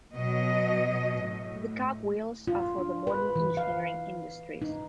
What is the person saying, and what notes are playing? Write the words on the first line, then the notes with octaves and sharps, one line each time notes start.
The cogwheels are for the modern engineering industries.
B2 F#3 D#5
A2
F4
D4
B4
E3
F5
D#4